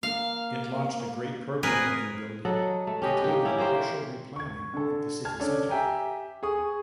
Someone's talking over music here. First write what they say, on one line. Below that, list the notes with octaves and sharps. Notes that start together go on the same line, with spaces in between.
It launched a great program of rebuilding, including a partial replanning of the city-center.
A#3 F5
C4 G#4 A#4 B4
F#3 A4 D#5 F#5
A3
C#4 G4 B4 D#5
A#3 G4
C#4 E4
A#3 G4 C5
C#6 G#6
D3 A4
A5 F6 G#6
C#4 D4 A4
G4 E5 G5 G#5 A#5
G#4 C#6 D#6